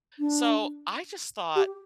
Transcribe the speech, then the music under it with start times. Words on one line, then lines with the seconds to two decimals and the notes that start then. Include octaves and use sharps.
so I just thought
0.19 D4
1.56 G4